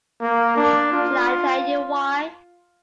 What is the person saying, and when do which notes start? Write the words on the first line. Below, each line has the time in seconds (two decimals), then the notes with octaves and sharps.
Shall I tell you why?
0.21 A#3
0.57 D4
0.92 F4